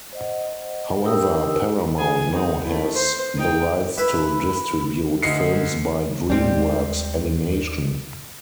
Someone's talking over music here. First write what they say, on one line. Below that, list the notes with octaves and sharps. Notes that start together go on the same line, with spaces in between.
However, Paramount now has the rights to distribute films by DreamWorks Animation.
C5 D#5 F#5
D4 G4 A#4 G5 D#6 E6
G#4 G#5
C4 D#4
A3 E4
C5
D#4 G5
E4 B4 B5
D2 D#5 C7 C#7
D#2 G3 G#3 C4